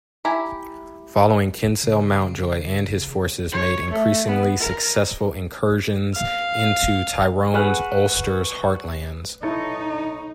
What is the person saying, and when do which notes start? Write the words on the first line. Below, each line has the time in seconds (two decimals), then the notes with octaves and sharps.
Following Kinsale Mountjoy and his forces made increasingly successful incursions into Tyrone's Ulster heartlands.
0.25 E4 G4 G#5 A#5
1.84 C#3
3.52 C#5
3.91 A3
4.27 B3
4.60 A#4
6.15 F5
7.54 F#4 G#4 B4 F#5 F6
9.43 D#4 E4 A4 C#5